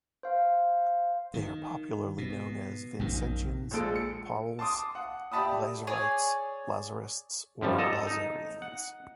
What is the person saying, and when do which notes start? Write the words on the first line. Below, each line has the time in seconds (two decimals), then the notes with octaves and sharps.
They are popularly known as Vincentians, Paules, Lazarites, Lazarists, or Lazarians.
0.23 C5 F5
1.34 D#3
2.18 B2
2.99 A#1 F#2 D#3
3.71 A#1 A#2 G#3 A4 D7
3.96 C#7
4.59 A5 C6 D6 D#6
4.95 F#5
5.32 G4 D5 E5 A5 B5 D#6
5.87 G#4 C#5 D5 G#5
7.61 F#2 F3 G3
7.78 A4 D#5 A5 A#5
8.07 D#4
8.62 F#5